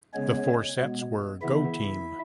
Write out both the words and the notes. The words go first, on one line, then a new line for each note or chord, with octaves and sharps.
The four sets were Go Team!
C#3 G#3 B3 C#4 C#5
B2 G#3 B3
C#3 E3 B3 E4 E5